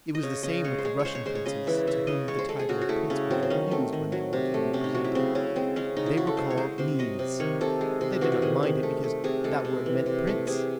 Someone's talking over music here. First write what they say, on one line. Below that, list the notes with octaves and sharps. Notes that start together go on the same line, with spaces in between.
It was the same with the Russian princes, to whom the title of prince was refused when they wanted to be presented; they were called "knees," but they did not mind it, because that word meant prince.
D#5
C#3 C#5
C#3 D#5
G#3 C#5
C5
G#3 C#5
C#5
C#3 C5
C#5
G#3 C5
C#5
C#3 D#5
E3 E5
C#3 E5
C#3 D#5
G#3 C#5
C5
G#3 A4
G#4
C#3 F#4
F#4
A3 E4
C#3 C#4
F#3 C4
C4
D#3 C#4
A3 C4
D#3
F#3
C3
A3
C3 C#4
D#4
F#3 F#4
E4
C#3 C4
C#3 C#4
G#3 C4
G#3 C#4
C#3 D#4
E4
C#3 F#4
A4
G#3 C5
C#5
G#3 C5
C3 C5
F#3 D#5
C3
D#3 C#5
C3 A4
G#3
C3
E3 F#4
F#4
D#3 G#4
D#3
A3
A3
C3 G#4
G#3 A4
C3
E3
C3
A3
C3 G#4